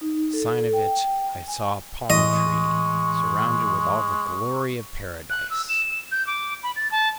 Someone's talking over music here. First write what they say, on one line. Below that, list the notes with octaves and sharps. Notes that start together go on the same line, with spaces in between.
In sign of it I saw a palm-tree, surrounded with all the glory of paradise.
D#4
A4
A4
G5
G#5
A2 E3 G#3 D#5 C#6
F#6
E6
E7
G6
D6
B5
A6
A5